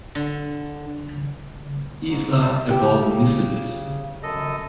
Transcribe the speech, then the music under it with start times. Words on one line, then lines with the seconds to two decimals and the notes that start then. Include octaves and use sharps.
Izla above Nisibis.
0.15 D3
2.08 G#2
2.40 G2 G3
2.71 C#3 G4
4.23 F#2 A4 D#5